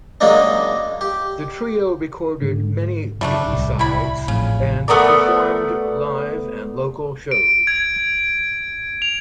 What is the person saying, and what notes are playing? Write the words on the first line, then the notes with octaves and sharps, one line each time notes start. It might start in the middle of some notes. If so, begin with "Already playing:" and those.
The trio recorded many b-sides and performed live and local shows.
C#3 F#3 G#3 A#3 D4 D#4
G4
G#2 D3
F#2 C#3 G3 A3 D4
D1 C2
G3 E4 B5
A1 F2 C#3
A3 B3 A#4 D5
D7
G#6
F7